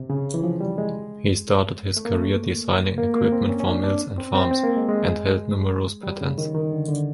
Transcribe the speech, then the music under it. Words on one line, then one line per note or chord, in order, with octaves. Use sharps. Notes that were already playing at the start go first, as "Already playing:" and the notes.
He started his career designing equipment for mills and farms, and held numerous patents.
Already playing: C3
C#3
E3
F3
G3
G#3
A3
A#3
A3
A#3
A3
A#3
C4
C#4
C#4
D4
D4
C4
C4
C4
A#3
G#3
G#3
G3
C#3
D#3
D#3
D3
D3